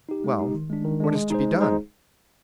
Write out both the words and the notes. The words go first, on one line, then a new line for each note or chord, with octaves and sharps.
"Well, what is to be done?"
D#4 G4
G#3
D#4 G4
D#3
G#3 D4
D#3
G#3 D4
G#3
D#4 G#4 C5
G#3
D#4 G#4 C5